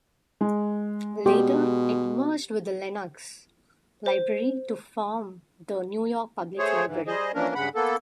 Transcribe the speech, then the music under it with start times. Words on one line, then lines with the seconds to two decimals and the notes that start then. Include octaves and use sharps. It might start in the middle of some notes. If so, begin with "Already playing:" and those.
Later it merged with the Lenox Library to form the New York Public Library.
0.41 G#3
1.26 B2 G4
4.06 C5
6.58 A3 G#4 C5 C#5
6.86 G#2 E3
7.07 G3 G#4 C5 D#5
7.34 E3 F3 A#3 C#4 D4 A#4
7.55 G2 C#3 G#3 F#5 B5
7.75 A#3 B3 A4